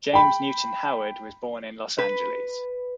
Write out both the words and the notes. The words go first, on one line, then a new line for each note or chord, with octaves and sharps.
James Newton Howard was born in Los Angeles.
G5 B5
B4